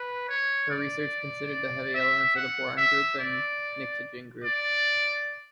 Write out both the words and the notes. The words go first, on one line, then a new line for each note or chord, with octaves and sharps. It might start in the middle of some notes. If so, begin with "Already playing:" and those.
Her research considered the heavy elements of the Boron group and Pnictogen group.
Already playing: B4
C#5
D5
E5
F#5
E5
D5
D5